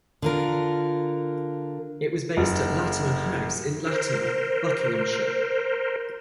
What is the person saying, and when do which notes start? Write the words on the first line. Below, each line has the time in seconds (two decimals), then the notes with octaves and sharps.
It was based at Latimer House in Latimer, Buckinghamshire.
0.22 D3 F4 A#4
2.37 F#1
3.86 A#4 C5